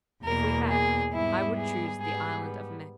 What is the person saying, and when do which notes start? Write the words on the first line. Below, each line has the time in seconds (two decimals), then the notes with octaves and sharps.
'If we had I would choose the Island of Man.'
0.25 E2 B2 A#3 A#4
0.69 G#4
1.13 G#2 G3 B3 E4
1.56 G#4
2.00 G#2 G3 B3 G#4